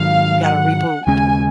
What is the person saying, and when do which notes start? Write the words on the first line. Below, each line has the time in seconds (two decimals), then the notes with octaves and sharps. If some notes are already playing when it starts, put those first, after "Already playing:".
You gotta reboot.
Already playing: G#2 D#3 F#3 F5
0.45 F#5
1.07 D#2 C#3 G#3 C#4 G#5